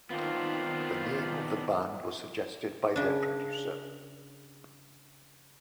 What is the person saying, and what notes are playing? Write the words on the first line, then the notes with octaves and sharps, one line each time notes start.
The name of the band was suggested by their producer.
D#3 B3 C4 D4 F4
C#3 D4